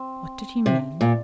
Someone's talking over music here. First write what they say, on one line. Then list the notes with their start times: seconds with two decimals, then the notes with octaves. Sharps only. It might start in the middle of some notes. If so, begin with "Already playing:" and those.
What did he mean?
Already playing: C4
0.66 C3
1.01 A#2